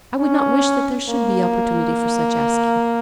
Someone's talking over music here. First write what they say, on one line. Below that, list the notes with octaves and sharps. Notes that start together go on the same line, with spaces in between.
I would not wish that there should be opportunity for such asking.
C#4
A#3